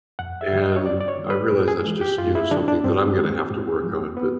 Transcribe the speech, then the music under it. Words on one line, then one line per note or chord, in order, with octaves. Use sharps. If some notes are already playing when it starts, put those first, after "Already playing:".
And I realize that's just, you know, something that I'm going to have to work on, but,
F2 F#5
E5
D3 F#3
D#5
C#5
G2 D5
D5
C#5
D#3 G3
B4
A2
G#4
E3 G#3
G4
F#2 F4
E4
D3 F#3 D4
D4
G2 C4
D#3 G#3
G#2
F3 G#3
B3